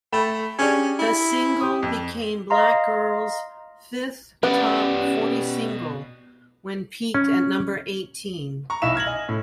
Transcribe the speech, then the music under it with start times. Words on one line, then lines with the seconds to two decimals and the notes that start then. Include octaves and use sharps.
The single became BlackGirl's fifth Top forty single, when peaked at number eighteen.
0.13 A3 G5 B5 E7
0.59 C#4 D4 G4 G#4
0.99 E4
1.61 G4 D#6
1.83 F2
2.50 D#5 F5 A#5 C6
4.43 B2 F#3 G3 B3 C#4 G4 D5
7.14 C#4
8.70 A#5 C#6
8.82 B1 D#4 E4 E5 F5 E7
8.95 F6 G#6 A#6 F#7
9.07 D#5 G#5
9.29 A2